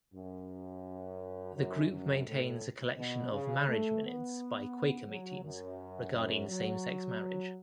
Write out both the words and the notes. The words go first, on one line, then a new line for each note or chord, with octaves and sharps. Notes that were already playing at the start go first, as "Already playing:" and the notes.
The group maintains a collection of Marriage Minutes by Quaker Meetings regarding Same-Sex Marriage.
F#2
F#2
F#2
A2
B2
C#3
A3
B3
F#3
F#2
F#2
F#3